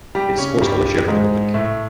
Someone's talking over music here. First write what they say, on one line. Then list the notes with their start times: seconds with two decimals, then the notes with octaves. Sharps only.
Its sports hall is shared with the public.
0.15 G3 G4
0.38 C#3 C#4
0.61 G2 G3
1.08 G#2 G#3
1.54 A2 A3